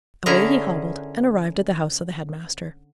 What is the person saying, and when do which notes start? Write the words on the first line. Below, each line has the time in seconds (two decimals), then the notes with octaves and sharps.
Away he hobbled, and arrived at the house of the head-master.
0.26 D3 C#4 E4 G#4 A#4 A#5